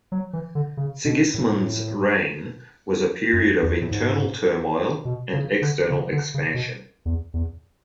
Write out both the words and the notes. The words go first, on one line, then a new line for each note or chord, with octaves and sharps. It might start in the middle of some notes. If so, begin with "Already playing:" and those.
Sigismund's reign was a period of internal turmoil and external expansion.
F#3
E3
D3
C#3
B2
A2
F#2
E2
A2
G#2
B2
C#3
D3
C#3
D3
C#3
B2
E2
E2